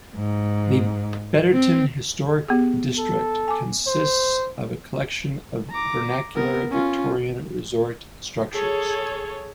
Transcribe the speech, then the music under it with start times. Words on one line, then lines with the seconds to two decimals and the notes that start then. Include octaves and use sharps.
The Betterton Historic District consists of a collection of vernacular Victorian resort structures.
0.15 G#2
1.52 C4
2.48 B3 G4 G#4
2.98 A4
3.48 G#5 D6
3.87 C5
5.70 A#5 D6
6.35 B3 A#4
6.71 C#4 F4
8.53 G#4 A4 C#5